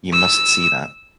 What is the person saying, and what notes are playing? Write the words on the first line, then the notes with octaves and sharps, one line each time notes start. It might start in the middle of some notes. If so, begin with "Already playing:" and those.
You must see that?
E6